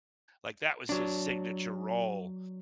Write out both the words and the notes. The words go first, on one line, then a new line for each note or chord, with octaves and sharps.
like, that was his signature role,
F#3 D4